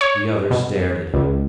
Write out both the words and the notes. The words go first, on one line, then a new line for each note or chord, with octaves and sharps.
The other stared at him.
C#5
B2
C#2